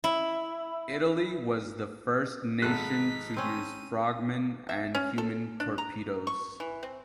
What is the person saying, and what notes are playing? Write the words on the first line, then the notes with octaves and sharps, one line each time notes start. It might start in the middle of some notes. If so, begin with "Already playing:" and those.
Italy was the first nation to use frogmen and human torpedoes.
E4
G#1 D#4 A4 F#6 B6
C4 C#4 D#7
E5
C#4
A4
D4
A#5
C#6
E3
C4